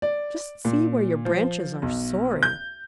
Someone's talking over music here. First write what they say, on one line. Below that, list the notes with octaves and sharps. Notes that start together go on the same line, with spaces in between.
Just see where your branches are soaring.
D5
A#2
F3
B1
G6